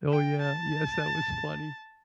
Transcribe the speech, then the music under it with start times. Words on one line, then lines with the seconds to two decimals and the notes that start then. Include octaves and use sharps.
Oh, yeah, yes, that was funny.
0.11 G5
0.41 A5